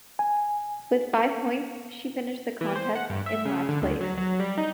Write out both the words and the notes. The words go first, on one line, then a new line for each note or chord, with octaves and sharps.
With five points, she finished the contest in last place.
G#5
E3
C5
F#5
G2
E5
C#3
D3
D2
F#3
F#3
G3
D#4